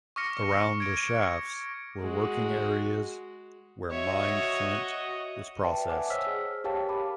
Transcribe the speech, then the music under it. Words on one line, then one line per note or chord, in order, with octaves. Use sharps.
Around the shafts were working areas where mined flint was processed.
C#6 D6 F6 A#6 C#7
G#6 D7
G#3 F#4
F#4 C#5 D#5 E5
B4 D5 E5 G5 A5
E5 F#5 G#5 D6
C5 C#5 D#5 E6 F6 B6
G#4
G4 A#4 C#5 F5 G5 A5
B5 D6